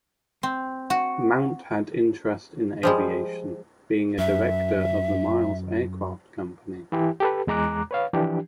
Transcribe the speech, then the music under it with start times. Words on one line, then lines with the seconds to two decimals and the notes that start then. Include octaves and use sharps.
Mount had interest in aviation, being a director of the Miles Aircraft Company.
0.43 C4
0.90 F#4 F#5
2.83 F3 G3 G#3
4.18 F#2 E5
6.92 E3 E4 G4
7.20 G4 A4 B4
7.47 E2 G#3 A#5 D6 F#6
7.91 B4 C#5 F5
8.13 E3 F3 D4 G4